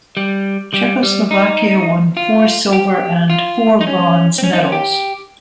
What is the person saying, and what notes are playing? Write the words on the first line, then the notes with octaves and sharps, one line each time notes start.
Czechoslovakia won four silver and four bronze medals.
G3
G3
G3
D#4
F4
G4
F4
D#4
C#4
C4
C#4
D#4
C#4
G4